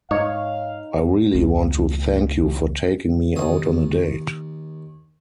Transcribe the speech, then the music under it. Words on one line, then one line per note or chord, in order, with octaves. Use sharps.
I really want to thank you for taking me out on a date.
G#2 D#4 C#5 F5
C#2 A3
D#2 D#6